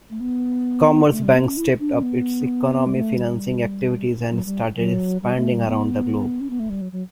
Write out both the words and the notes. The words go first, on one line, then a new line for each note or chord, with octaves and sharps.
Commerzbank stepped up its economic financing activities and started expanding around the globe.
A3
B3
A3
G3
B3
C#4
E4
D4
C#4
B3
G3
A3
G3
F#3
G3
F#3
G3
A3
G3
B3
C#4
B3
A3
G3
F#3
F#3